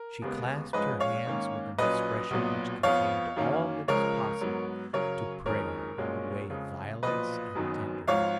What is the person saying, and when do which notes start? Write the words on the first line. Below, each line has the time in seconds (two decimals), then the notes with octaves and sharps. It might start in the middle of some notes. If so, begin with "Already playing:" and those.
She clasped her hands with an expression which contained all that is possible to prayer in the way of violence and tenderness.
Already playing: A#4
0.22 D#2 C#3 G#3 B3
0.73 G#2 F3 G#3 C#4 B4 D#5
1.00 C#5 F5
1.26 G#2 D#3 A#3 C#4
1.78 A#1 A#2 F#3 C#4 B4 D#5
2.30 B1 A#2 F#3 B3
2.83 F2 F3 B3 C#5 F5
3.36 F#2 D#3 A#3 C#4
3.88 C#2 C#3 F3 G#3 A#4 C#5
4.41 G#2 F#3 B3
4.93 F#2 C#3 F#3 A#4 C#5
5.45 F#1 F2 D#3 G#3 C#4 A#4 C#5
5.98 B1 A#2 G#3 C#4
6.50 F2 C#3 G#3
7.03 B1 A#2 F3 B4 D#5
7.55 F#1 F#2 D#3 F#3 B3
8.07 G#1 G#2 F3 C#5 F5